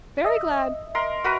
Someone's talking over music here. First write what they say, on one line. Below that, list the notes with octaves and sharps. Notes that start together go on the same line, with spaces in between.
Very glad!
D#5 E5
A#4 C6
F#4 A#4 B4